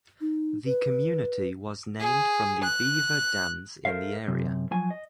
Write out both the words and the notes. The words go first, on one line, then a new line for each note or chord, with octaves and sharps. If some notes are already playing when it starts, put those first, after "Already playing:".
The community was named from the beaver dams in the area.
D#4
B4
G#4
F#6
A4 A#4 C5 C#5 E5 F5
F#2 C3
F3 F#3 G#5
D#5